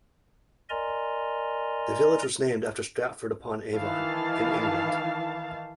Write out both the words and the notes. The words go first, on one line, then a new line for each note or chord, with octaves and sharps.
The village was named after Stratford-upon-Avon, in England.
A#4 D5 D#5 G#5 A#5 C6
D#3 E3 F5 A5